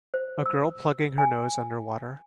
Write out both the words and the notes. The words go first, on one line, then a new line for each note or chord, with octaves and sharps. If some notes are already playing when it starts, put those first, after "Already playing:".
A girl plugging her nose underwater.
C5
E6
G#5